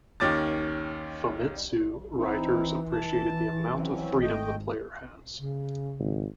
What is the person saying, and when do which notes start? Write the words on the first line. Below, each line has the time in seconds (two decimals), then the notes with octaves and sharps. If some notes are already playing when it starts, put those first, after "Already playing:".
"Famitsu" writers appreciated the amount of freedom the player has.
0.20 D#2 D#3 C#4 D6 A6
2.17 E3 C4 D#4 E4
2.92 A5
3.75 F#3 C4 C#4
4.22 G#1 A3 D#5 G5
5.39 C#3
5.99 G#1